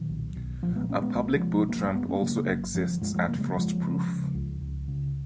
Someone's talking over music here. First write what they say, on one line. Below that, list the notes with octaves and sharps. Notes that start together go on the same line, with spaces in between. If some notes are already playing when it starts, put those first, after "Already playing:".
A public boat ramp also exists at Frostproof.
Already playing: A#2 D#3 F#3
B1
B1
A#2 F3
G#3 B3
A#2 A#3 C#4
G#3 B3
B1 G#3
A#3
F3 G#3
B1
F#1 F#3 A#3
F#2 G#3 B3
A#3 C#4
C#3 F#3 A#3
F#1
F#1 F3 G#3
F3
F#2 F3 G#3
F3 G#3
C#3 A#3
G#3
F#3
F#1 F3 G#3
C#3
C#3
C#2
C#2
C#3